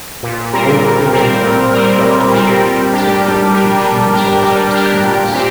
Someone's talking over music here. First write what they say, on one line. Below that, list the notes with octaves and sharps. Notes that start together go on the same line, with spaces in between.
Oakfield Lane, Dartford is the location of the largest campus.
A#2
G3 C4 A#4
A#2
G3 C4 A#4
A#2
G3 C4 A#4
A#2
G3 C4 A#4
G3
D4 G4 A#4
G3
D4 G4 A#4
G3
D4 G4 A#4
G3
D4 G4 A#4
A#2
C4 G4